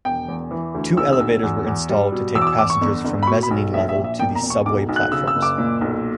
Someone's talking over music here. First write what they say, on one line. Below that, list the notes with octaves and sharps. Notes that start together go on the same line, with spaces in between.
Two elevators were installed to take passengers from mezzanine level to the subway platforms.
E1 G5
E2
E3
D2
B1 E6
E6
B1
E2
E2
G3
B2
E2 E6
D6
E6
E2 D6
C#6
G1
G1
B5
B2 C#6
B5
B1
A#1 E5
E5
A#2
E5
E1 G5
A#5
E1
C#6
B1 D6
B1
F#6
C#3 E6
E6
F#1
D6
A#2
B1